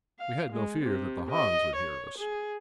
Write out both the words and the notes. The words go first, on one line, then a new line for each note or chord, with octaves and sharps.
We had no fear that the Hans would hear us.
F5
G#3
C3
D#5
C#5
G#4